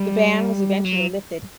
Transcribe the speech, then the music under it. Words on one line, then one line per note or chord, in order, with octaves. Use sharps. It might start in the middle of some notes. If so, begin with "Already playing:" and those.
The ban was eventually lifted.
Already playing: G3
F#3